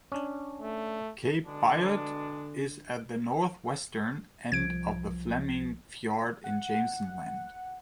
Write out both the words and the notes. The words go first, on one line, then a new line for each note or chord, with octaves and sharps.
Cape Biot is at the northwestern end of the Fleming Fjord in Jameson Land.
C#4 D4
A3
B2 D3 G#3 D4
C2 F3 G#6 D7
F#5